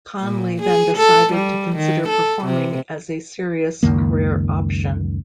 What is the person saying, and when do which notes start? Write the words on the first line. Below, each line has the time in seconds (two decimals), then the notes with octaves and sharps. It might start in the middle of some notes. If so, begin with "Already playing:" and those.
Conley then decided to consider performing as a serious career option.
0.21 A#2
0.62 G#4
0.97 A4
1.33 G3
1.76 D#3
2.09 A4
2.45 C3
3.83 C#2 F#2 D#3 A#3